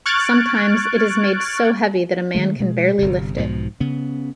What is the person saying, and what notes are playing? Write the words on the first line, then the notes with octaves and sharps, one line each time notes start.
Sometimes it is made so heavy that a man can barely lift it.
C#6 F6 F#6 G#6 A6 D7
D#3 G#3 A3
B2 G#3
G1 C3
B1 G#2 B2 F3
C#3 B3